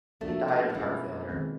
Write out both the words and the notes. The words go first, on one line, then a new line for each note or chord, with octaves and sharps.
He died of heart failure.
F3 A3 A#3 D4 F#4 A4
G#3
F3
B2 E3 G#3 C#4 F4 G#4
D#3 G#3 C4